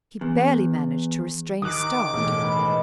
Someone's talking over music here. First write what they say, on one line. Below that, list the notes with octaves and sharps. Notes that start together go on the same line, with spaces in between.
He barely managed to restrain a start.
E2
D#3 D6 D#6 F#6
E1 A2
G#3 B4